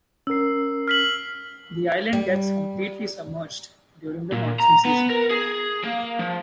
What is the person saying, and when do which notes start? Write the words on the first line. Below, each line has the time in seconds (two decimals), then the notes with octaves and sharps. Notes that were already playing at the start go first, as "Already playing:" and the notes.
The island gets completely submerged during the monsoon season.
0.27 C#4 A#4 E6 C7
0.88 F6 B6 F#7
2.13 G3
4.32 A#2
4.60 A#5
4.85 B3
5.10 A#4
5.30 G#4
5.83 A#3
6.19 F3